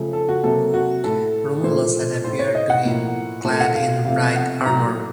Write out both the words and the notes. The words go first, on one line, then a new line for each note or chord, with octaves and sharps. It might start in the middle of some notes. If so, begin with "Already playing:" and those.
Romulus had appeared to him clad in bright armor.
Already playing: C#3 F3 A3
A4
F#4
C3 F#3 A#3 A4
F#4
A2 A3 A4
A#2 F3 A3 C5
A2 A3 C5
C#5
D#5
F#5
A2 F3 A#3
A#2 A3 A5
F#5
F5
C3 F3 A3 F5
F#5
A2 F#3 A3 A#5